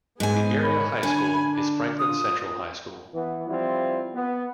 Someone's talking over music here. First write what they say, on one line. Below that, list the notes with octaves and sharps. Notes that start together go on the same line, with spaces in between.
The area high school is Franklin Central High School.
G#2 G#3 B3 G#4 G#5
C#5 B5
D3 G#5
D4
F4 D#6
E3 B3
F3 G3 C4 E4 F4
B3